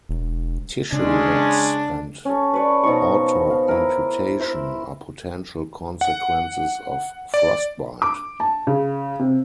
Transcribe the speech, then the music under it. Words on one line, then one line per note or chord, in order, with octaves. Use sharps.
Tissue loss and autoamputation are potential consequences of frostbite.
E1
C#3 G#3 C#4 D4
C#4 A4
B4 C#5 D5
B2 F3 D#4 C#6
F5
E4 A#4
E4 C5 E5
F#5
D5
D6
A5
C#3
C3